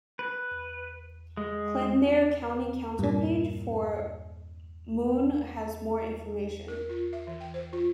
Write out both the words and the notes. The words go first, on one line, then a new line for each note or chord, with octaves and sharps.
Kildare County Council page for Moone has more information.
B4
G#3
G2 A#2
A#4
F4
E5
E3
G5
C5
F4